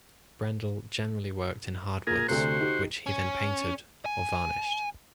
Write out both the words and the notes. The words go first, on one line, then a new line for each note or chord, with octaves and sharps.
Brendel generally worked in hard woods which he then painted or varnished.
A#2 G#4 A#4
D2 C3 A3 F#4 C5
D#4 G4
C#4
G#5